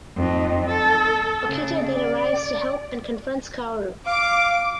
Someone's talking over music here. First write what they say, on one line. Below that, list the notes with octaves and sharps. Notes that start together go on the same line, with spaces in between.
Okita then arrives to help and confronts Kaoru.
F2 D#4
A4
C#3
D5
F5 D6